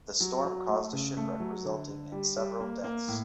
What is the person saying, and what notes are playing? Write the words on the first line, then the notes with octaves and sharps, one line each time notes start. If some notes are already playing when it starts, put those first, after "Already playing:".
The storm caused a shipwreck resulting in several deaths.
F#3
F#3
A3
C#3
A3
F#3
D3
D3
G3
G3
A#3
A#3
A2